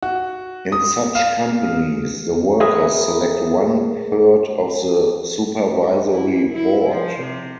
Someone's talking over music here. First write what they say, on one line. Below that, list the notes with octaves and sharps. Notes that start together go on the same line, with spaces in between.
In such companies, the workers select one-third of the supervisory board.
F#4
D#6
F5
G#4 A#4 B4 E5 G#5
E4
E4
F3
C3